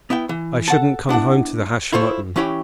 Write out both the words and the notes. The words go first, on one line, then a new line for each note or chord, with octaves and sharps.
I shouldn't come home to the hashed mutton.
B3 E4 E5 G5
E3
A4 F#5 A5
B3 D4 E4 F#5
E4 F4 A4 C5 C#5
E3 C#4 E4 G4 C#5